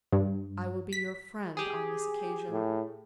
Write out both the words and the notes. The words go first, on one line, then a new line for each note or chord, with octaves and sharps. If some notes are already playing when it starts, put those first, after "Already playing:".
I will be your friend on this occasion.
G2
B6
G4 G#4
A2